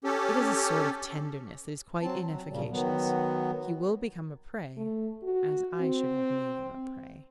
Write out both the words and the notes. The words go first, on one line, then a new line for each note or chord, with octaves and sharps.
It is a sort of tenderness that is quite inefficacious. He will become a prey, as I should have made him a prey.
C#4 G4 A4
F#3 C4 A5
F#3
A#2 C#3 G3
D#3 F#3 B3
A3
F#4
C4